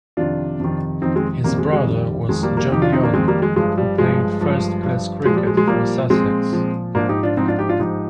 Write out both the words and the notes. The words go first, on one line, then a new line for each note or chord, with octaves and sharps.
His brother was John Young, who played first-class cricket for Sussex.
F2 C3 D#3 D4 F4
F2 C3 D#3
F2 C3 D#3 C4 D#4
G#3 C4
F2 C3 D#3 G3 A#3
G#3
G#3
F2 D#3 G3
F2 D#3 G#3
G3 A#3
G3 A#3
F2 D#3 D#4 G4
D4 F4
C4 D#4
A#3 D4
F2 D#3 G#3 C4
G3 A#3
G#3
G2 F3 G#3
G3
G2 F3 G#3
G2 F3
G2 F3
A#2 F3 G#3
G3
G#3
G#3
A#2 F3 G3 A#3
A#2 F3 G#3 C4
A#2 F3
G#2 F3 A#3 D4
D#4 G4
D4 F4
G#2 F3 C4 D#4
D4 F4
D#4 G4
D4 F4
G#2 F3 D#4 G4